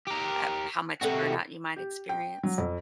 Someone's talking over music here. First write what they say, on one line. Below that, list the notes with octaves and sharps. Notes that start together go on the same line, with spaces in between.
uh, how much burnout you might experience?
G4 A#4
C3 F#4 A4 E5 G5
G4
G5
F#3
F2